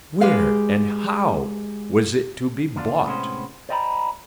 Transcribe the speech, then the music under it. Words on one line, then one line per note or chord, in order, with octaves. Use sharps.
Where and how was it to be bought?
G#3 G4 G#4 B4 F5
D3 A#3 B3 D4 F4
A2 C3 G#3 B3 C#4 C5
C5 D5 D#5 G5 A#5 B5